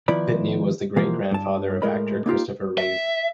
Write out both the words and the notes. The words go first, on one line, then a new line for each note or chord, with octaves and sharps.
Pitney was the great-grandfather of actor Christopher Reeve.
D#3 F3 B3 E4 D5 B5
B2 E3 F3 A#3 F5
G2 A5
A2 G#3 A#4 D#5 B5
A#3 D#4 F4 G4
E5